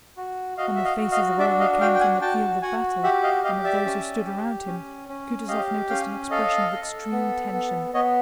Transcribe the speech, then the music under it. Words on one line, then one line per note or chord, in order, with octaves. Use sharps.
On the faces of all who came from the field of battle, and of those who stood around him, Kutuzov noticed an expression of extreme tension.
F#4
F#4 D#5 F5
E5
D#5 F5
F#4
D#5 F5
D4 D5 E5
D#5 F5
F#4 F5 G5
G5
F#5 G#5
F#4 G5 A5
F#4 F#5 G#5
G4 E5 F#5
D#5 F5
G4 D#5 F5
D5 E5
C#4
G4
C#4
C#4
G4 D#5 F5
C#4 F5 G5
A4 D#5 F5
A4
B3
B3
B3 C#5 D#5